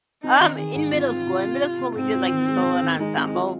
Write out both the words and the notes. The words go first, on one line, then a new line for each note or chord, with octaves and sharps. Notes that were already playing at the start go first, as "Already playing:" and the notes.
Um, in middle school in middle school, we did like the solo ensemble,
C4 D#4
D#3
D#3 G#4
G#2
C4 F4
C4
C3
C3
C3
C3
G#2 C4
F4
D#3
G#3
G#2
D#3
G#3 D#4
C4
F4